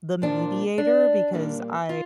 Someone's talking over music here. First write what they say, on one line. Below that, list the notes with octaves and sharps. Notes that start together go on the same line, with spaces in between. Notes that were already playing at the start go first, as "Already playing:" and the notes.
the mediator, because I
A#2 F3 A#3 D4
D4
A#2 G3 A#3
F4